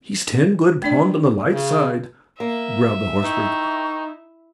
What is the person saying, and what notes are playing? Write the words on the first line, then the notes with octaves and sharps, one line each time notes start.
"He's ten good pund on the light side," growled the horse-breaker.
A3 D4 D5
C#3
A#3 E5
D#4 E4 A#4 G5 C#6